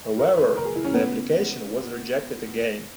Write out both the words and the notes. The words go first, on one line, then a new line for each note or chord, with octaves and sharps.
However, the application was rejected again.
A#4
B4
A#4
G#4
E4
C#4
B3